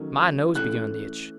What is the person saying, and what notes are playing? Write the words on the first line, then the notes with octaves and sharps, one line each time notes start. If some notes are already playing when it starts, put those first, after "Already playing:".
My nose begun to itch.
Already playing: D#3 F#3 A3 C#4
E3 A3 C#4 F#6